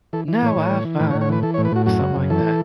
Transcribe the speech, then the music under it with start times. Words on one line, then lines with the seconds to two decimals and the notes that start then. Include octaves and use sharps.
now I find, or something like that.
0.13 E3 A4
0.28 E3
0.42 A2 C#5
0.56 A2
0.70 E3
0.85 E3
1.00 A2 B4
1.10 C#5
1.15 A2
1.21 C#5
1.29 E3 B4
1.43 E3 A4
1.54 C#5
1.58 A2
1.65 B4
1.72 A2 F#4
1.86 F#2 F#4
2.01 C#3
2.16 F#2
2.30 E3 A4